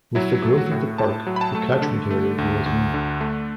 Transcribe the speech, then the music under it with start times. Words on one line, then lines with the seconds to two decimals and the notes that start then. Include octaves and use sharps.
With the growth of the park, the catchment area grew as well.
0.15 F#3 E4
0.43 A3 A4
0.58 F#4
0.71 A2
0.98 A2 A5
1.27 F#3
1.36 B5
1.41 A5
1.55 A3
1.82 D3
2.10 A3
2.38 D2
2.66 D2
2.94 D3
3.21 A3